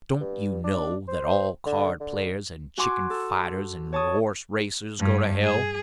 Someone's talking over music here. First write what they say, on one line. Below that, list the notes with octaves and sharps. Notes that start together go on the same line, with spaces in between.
Don't you know that all card-players and chicken-fighters and horse-racers go to hell?
G2
D4
C5
D3
D3
F#4 G#5 C6 D6
A4
C#5 A5 C#6 D#6
G2
G#4